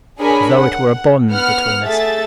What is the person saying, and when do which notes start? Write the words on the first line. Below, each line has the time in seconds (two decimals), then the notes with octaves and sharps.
As though it were a bond between us.
0.19 D4 G#4 A#4 C#5 G#5 B5
0.53 F#5
1.31 B3 F#5 F6
1.84 A3 G#4 A4 E5 A6